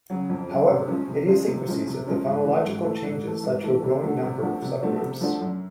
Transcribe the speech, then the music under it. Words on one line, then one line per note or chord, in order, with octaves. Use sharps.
However, idiosyncrasies of the phonological changes led to a growing number of subgroups.
C#3 F#3
F2
C#3 F#3
C3
F3 G#3 C#4
C3
F3 G#3 C#4
C3
F3 G#3 C#4
C3
F3 G#3 C#4
G#2
E3 A3
G#2
E3 A3
G#2
E3 A3
G#2
E3 A3
C3
F3 A3 D4 F#4
C3
F3 A3 D4 F#4
C3
F3 A3 D4 F#4
C3
F3 A3 D4 F#4
F#2